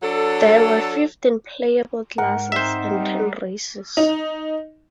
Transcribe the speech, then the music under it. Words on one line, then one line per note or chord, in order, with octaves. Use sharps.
There were fifteen playable classes, and ten races.
F#3 D4 A4
G#2 A#4 F#5
C4 D#4 C5 E5
G3
D#4